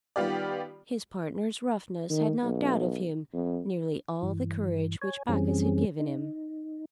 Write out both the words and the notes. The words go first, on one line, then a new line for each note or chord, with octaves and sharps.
His partner's roughness had knocked out of him nearly all the courage which Bacchus had given him.
D#3 G3 B3 F4 G4 D5
D#3
B1
F2
G2 E3
C#5 G#5
F#2 E3 G3 C4 C#4 G#4
D#4